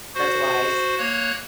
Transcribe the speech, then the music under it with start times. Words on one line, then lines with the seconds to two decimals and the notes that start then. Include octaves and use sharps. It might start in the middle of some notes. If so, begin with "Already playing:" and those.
That's wise.
0.15 F#4 C5
0.99 A#3 C#5 F#6